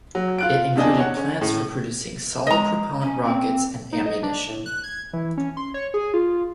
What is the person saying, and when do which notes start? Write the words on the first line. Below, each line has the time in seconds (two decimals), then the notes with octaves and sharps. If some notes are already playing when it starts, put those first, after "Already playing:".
It included plants for producing solid-propellant rockets and ammunition.
0.15 F#3
0.38 F4 F#6 D7
0.76 E2 C3 D4 D#5 G#5
0.98 C#5 F#5
1.17 C#4
1.41 A2
2.47 G#3 D#5 A#5
3.01 C#4
3.24 C4
3.92 D#4
4.06 D#5
4.23 D4
4.49 A2
4.66 F#6
4.84 G#6
5.13 E3
5.38 C#4
5.57 C6
5.74 C#5
5.94 G#4
6.14 F4